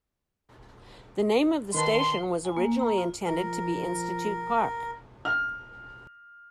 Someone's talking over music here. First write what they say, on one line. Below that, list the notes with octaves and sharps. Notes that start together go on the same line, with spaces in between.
The name of the station was originally intended to be Institute Park.
D#3 B4 A5 C6
G#5
A#3
A#5
F4
F3 A#4
F6